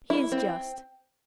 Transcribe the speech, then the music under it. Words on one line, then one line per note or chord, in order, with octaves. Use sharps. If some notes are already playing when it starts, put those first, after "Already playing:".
He is just.
E4
C4